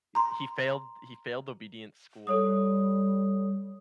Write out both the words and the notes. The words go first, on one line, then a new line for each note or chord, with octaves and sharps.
i he failed he failed obedience school,
A#5 C6
G3 A4 C#5 D#6